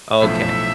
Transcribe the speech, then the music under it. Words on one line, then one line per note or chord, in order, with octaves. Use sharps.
oh okay.
B1 A2 F3 A3 C#4 E5